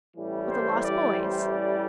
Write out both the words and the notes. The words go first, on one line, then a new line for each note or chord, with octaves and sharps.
"With the lost boys."
A1 A2 E3 G3
C5
D5
C5
D5